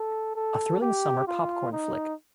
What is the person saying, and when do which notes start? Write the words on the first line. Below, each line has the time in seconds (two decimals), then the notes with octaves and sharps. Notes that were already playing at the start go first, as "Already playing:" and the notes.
A thrilling summer popcorn flick.
Already playing: A4
0.36 A4
0.82 G4
1.28 F4
1.73 D#4